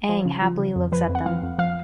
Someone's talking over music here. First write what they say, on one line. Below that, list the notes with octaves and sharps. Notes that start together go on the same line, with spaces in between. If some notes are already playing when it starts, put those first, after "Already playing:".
Aang happily looks at them.
F3
C#3
F3
C#3
F2
F3 B4
F2
F#5
F3 F5
F2
F3 F5